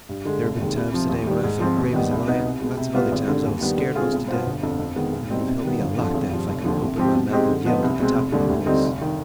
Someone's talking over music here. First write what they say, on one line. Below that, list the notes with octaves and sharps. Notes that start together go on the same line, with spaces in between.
"There have been times today when I felt brave as a lion, and lots of other times I was scared most to death. It would have helped me a lot then, if I could have opened my mouth and yelled at the top of my voice."
G2
D3 G#3
F1
D#2 D#3 G#3
C2
C3 F3
D#2
D#3 G3
G#2
F3 C4
D#2
D#3 G3 B3 D#4
C2
B2 B3 D#4
C2
B2 G#3
C3
G3 B3 F4 B4
G#1
G2 D3
D#2
D#3 G3 B3
D3
G#3 C4 F4 G#4
B1
B2 B3 F4 C5
G1
F2 D3
F2
D#3 G#3 B3
B1
B2 G3 C4 D#4
C3
D#3 G3 B3
G1
F2 D3 F3
G#1
G2 F3
F1
D#2 D3 F3
C3
F3 C4 G4
B2
G#3 C4 D#4 G4
D3
F3 B3 D#4 B4
C2
B2 G#3 C4
F1
D#2 D3 G3
D2
D3 G3 C4 D#4
F1
D#3